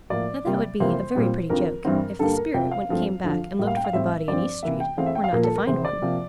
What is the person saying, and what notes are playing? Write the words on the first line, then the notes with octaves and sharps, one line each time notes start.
Now that would be a very pretty joke, if the spirit when it came back and looked for the body in East Street, were not to find one.
A2 F3 A#3 D5
C3 G3 A#3
F2 C3 E3 A#3 C5
A#2 G3 C4
F2 D3 F3 C4 A#4
G2 E3 G3 C4
G2 D3 G3 A#3 A4
A#4
F2 C3 F3 G5
F5
G2 F3 A3 C4
F2 D3 F3
A2 G3 A#3
F5
G5
F5
A2 G3 C4 E5
G2 F3 C4 D5
C3 E3 A#3 E5
G5
E2 E3 A3 C4 F5
E5
G5
F5
A#2 F3 A#3 A#4
A4
A#4
E2 C3 E3 C5
D5
C3 F3 A#3